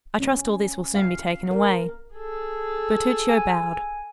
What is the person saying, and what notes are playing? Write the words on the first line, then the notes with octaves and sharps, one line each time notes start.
"I trust all this will soon be taken away." Bertuccio bowed.
C#4
F5
A#4
G#4 A4
G#5